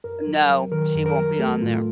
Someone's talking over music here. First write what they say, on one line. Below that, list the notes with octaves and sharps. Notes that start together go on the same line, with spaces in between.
No. She won't be on there.
F#2 A#4
F#3
F#3
D#3 A#4
F#2
A#4
F#3
A3 A4
A2 F4